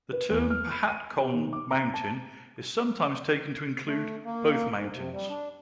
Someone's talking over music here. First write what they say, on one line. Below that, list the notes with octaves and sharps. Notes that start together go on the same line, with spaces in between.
The term "Pohatcong Mountain" is sometimes taken to include both mountains.
B4
E2
F6
B5
D#7
G4
D#3
D6
A#5
A5
A3
A#3
G#2
C3
G3
D4